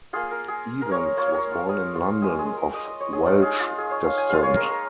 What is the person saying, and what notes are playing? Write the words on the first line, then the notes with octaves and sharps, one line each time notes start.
Evans was born in London of Welsh descent.
A#3 F4 G#4
A#4
G#4
A#4
C#5
A#3 F4 C#5
C#5
A#4
F4
G#4
F4
G#3 F4 G#4
G#4
A#4
D#5
D#5
C#5
G#4
A#3 D#4 F4
G#4
F4
G#4
C#5
F5
G#5
G#3 F4 F5
C#5
A#4
A#4